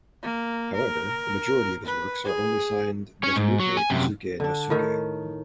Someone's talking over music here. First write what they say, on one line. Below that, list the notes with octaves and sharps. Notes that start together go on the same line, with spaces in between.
However, the majority of his works are only signed "Dotanuki Kozuke no Suke".
A#3
A#4
B4
G#4
C#4 C#5
G#2
F#3
G#5
F#2 C3
D3 D4
A2 D#3